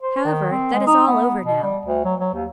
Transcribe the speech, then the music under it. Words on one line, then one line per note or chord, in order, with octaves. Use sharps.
However, that is all over now.
C5
D#3
C4
G#3
D#4
B3
B2
G3
D2
F#3
F#3
D#2